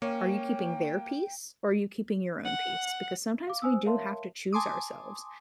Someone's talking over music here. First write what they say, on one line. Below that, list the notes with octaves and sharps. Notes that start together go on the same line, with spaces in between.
Are you keeping their peace or are you keeping your own peace? Because sometimes we do have to choose ourselves.
A#3 C#4 G5
F#5
F5 D6
C5 G#5 D#6 E6
A#4 C#5 E5 F5 A5 C6
G#5 A5 C6 D6 D#6